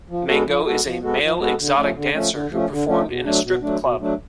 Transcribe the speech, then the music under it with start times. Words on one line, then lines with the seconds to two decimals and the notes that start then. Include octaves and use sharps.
Mango is a male exotic dancer who performed in a strip club.
0.10 F3
0.28 G#3 B3 F#4 A4
0.47 F3
0.65 G#3 B3 F#4 A4
0.84 F3
1.02 G#3 B3 F#4 A4
1.21 F3
1.39 G#3 B3 F#4 A4
1.58 D3
1.77 F3 A3 C#4
1.95 D3
2.14 F3 A3 C#4
2.32 D3
2.51 F3 A3 C#4
2.69 D3
2.87 F3 A3 C#4
3.07 B2
3.24 F#3 A3 D4
3.44 B2
3.62 F#3 A3 D4
3.80 B2
3.99 F#3 A3 D4